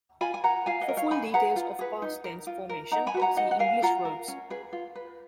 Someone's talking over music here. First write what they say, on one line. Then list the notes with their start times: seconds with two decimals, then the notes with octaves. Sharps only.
For full details of past tense formation, see English verbs.
0.21 F4 G#5 B5
0.34 G#5
0.44 A#4 F#5 A#5
0.66 F4 F5 G#5
0.81 D#5 F#5
0.88 A#4
0.97 C#5 F5
1.11 D#4 G#5 B5
1.34 G#4 B4 F#5 A#5
1.56 F4
1.79 G#4 B4
2.02 D#4
2.24 A#4
2.47 F4
2.69 A#4
2.92 D#4 F#5 A#5
3.07 G#5 B5
3.14 F#4 B4
3.22 F#5 A#5
3.37 D#4 D#5 F#5
3.51 F#5
3.59 A#4 F5 G#5
3.82 F4 F#5 A#5
4.05 A#4
4.28 C#4
4.50 G#4 B4
4.73 F4
4.96 B4